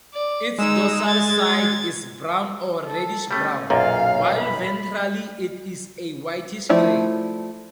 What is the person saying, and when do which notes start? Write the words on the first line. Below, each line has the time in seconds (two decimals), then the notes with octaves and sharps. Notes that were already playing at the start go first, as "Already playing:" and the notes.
Its dorsal side is brown or reddish-brown, while ventrally it is a whitish-grey.
0.13 D5
0.59 G#3 D#4 E6
1.07 G#6 A6
2.86 A4
3.31 G3 A3 C#4
3.70 B1 F#2 A#2 F5
4.38 B5
6.69 F3 A3 E4 D5